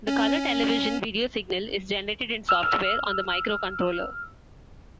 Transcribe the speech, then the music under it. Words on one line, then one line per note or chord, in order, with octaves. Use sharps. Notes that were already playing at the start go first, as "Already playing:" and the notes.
The color television video signal is generated in software on the microcontroller.
C#4
E6 F6